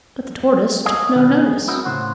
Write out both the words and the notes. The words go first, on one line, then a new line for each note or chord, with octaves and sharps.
But the tortoise took no notice.
A4 A#4 C#5 D#5 F5 G#5
B2 D#3 G3 B3 B4 F#5
G#4
C4 D#4 E4 F#4 A#4
A2 C#3 C5 C#5 F#5